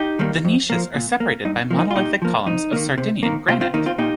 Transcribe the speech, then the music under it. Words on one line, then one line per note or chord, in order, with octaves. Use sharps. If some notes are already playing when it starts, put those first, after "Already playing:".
The niches are separated by monolithic columns of Sardinian granite.
Already playing: D#4 G4
D#3 G3 A#3
F2
F3 A#3
A#2
A#3
G2 D#4
F3 A#3
D#4
F4
A#2 D#4 G4
F3 A#3
F2 D#4
D#3 A#3
C3
D#3 A#3
C3 C4 F4
C4 F4
D#3 A#3 D#4
C4 F4
A#2 D#4 G4